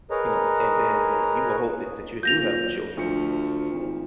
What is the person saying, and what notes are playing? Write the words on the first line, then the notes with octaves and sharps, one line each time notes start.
you know, and then, you know, you would hope that that you do have children
G#4 A#4 B4 C#5 D#5 A#5
A#2 F#3 G6 A#6 F7
D2 F3 C#7
G#1